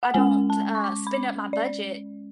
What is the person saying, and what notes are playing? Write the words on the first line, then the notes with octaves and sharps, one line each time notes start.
I don't, uh, spend up my budget
F#5
G#3 C#4 G#5
A5
C#6
D6
B5
D5